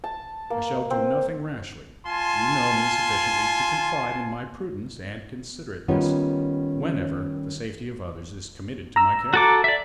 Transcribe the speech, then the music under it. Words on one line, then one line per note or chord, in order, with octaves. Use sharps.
I shall do nothing rashly: you know me sufficiently to confide in my prudence and considerateness whenever the safety of others is committed to my care.
A5
A#3
C4
F4 G#5 A5 C6
D#3 G3 B3 C#4 F4
A#5 E6
F#4 A4 D6
D5 E5